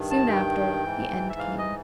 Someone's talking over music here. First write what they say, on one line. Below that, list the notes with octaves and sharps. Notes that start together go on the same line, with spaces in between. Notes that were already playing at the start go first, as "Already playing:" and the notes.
Soon after, the end came.
Already playing: G2 D#3
A5
G5
G#2 E3
E5
F5
D#5